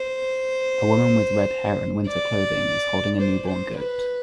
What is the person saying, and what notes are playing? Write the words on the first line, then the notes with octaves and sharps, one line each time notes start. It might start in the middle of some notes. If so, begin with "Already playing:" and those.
A woman with redhair and winter clothing is holding a newborn goat.
Already playing: C5
D5
C5
C5
B4